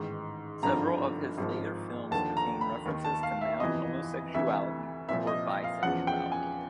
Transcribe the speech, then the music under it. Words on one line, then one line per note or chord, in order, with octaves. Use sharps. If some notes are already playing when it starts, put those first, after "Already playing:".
Several of his later films contain references to male homosexuality or bisexuality.
Already playing: A1 G#2 D#3
G#1 G2 D3 F3 A#5
G#1 G#2 F3
D#2 D3 F3 A5
A#5
B5
D#2 D#3
A5
F5
E5
G1 F2 C3 E3 D#5
D2 C3 E3 E5
C2 A#2 F3 E5
D#5
F5
E2 C#3 F3 F#5
G5
G#5